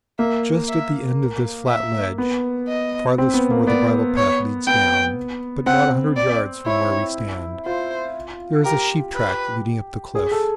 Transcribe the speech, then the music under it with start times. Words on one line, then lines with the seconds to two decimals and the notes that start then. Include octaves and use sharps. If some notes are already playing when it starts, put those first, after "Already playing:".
Just at the end of this flat ledge, farthest from where the bridle-path leads down, but not a hundred yards from where we stand, there is a sheep-track leading up the cliff.
0.19 A#3 E5
0.69 E5
1.68 E5
2.18 B3
2.68 D#5
3.18 C4
3.34 B3
3.51 A#3
3.67 B3 D5
4.17 C#5
4.67 B3 G5
5.66 C4 F#5
6.16 D5
6.66 E4 C#5
7.66 F4 C5
8.65 G4 A#4
9.15 B4
10.15 G#4
10.31 A4